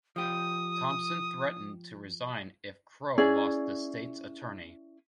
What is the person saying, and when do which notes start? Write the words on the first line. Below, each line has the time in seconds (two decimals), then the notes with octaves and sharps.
Thompson threatened to resign if Crowe lost the state's attorney.
0.16 F3 G4 D#6
3.18 C#4 E4 G#4 D5